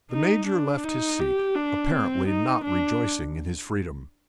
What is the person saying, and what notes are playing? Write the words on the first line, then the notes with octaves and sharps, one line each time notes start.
The Major left his seat, apparently not rejoicing in his freedom.
D#4
D4
D#4
G4
D4
C4
D#4
D4